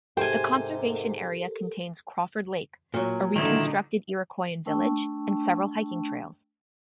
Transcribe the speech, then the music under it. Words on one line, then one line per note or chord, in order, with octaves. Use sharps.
The conservation area contains Crawford Lake, a reconstructed Iroquoian village, and several hiking trails.
G#2 C3 G4 A4 A#4 C5 G5 G#5
A#2 F#3
D3 D#3 G#3 D#4 E4
A3 D4 G5 A5 C#6 E6